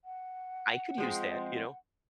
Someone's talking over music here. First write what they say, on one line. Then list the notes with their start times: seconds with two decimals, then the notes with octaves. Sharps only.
"I could use that," you know.
0.05 F#5
0.98 F3 G#3 C4